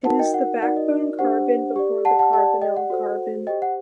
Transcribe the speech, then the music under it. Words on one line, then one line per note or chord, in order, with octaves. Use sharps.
It is the backbone carbon before the carbonyl carbon.
D#4 F#4 A#4 F#5 A5
D#5 G5
F#5
D#4 F#4 A#4 D5 F#5
D#5
D4 G4 C5 F#5
G4 D5
F#5 A5
F#5 A5
G4 D5 F#5 A5
D#5 G5
F#5
F#4 A4 C5
G4 C5 D#5 G5
F#5